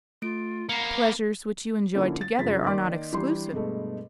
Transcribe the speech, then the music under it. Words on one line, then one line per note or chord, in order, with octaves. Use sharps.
The pleasures which you enjoy together are not exclusive.
A3 F4 D7
A#3 B3 A#5 C7 C#7
D3 F3 A#3 C#4 E4
A6
F#1 G2 C#3 F3 A6 B6
D#3 A#3 D#4 D5 C6 D6
E3 G3 D4 G4 C6
G2 B2 G#3 A3